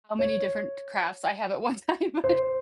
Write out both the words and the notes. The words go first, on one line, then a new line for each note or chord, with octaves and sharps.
how many different crafts I have at one time,
C#5
C5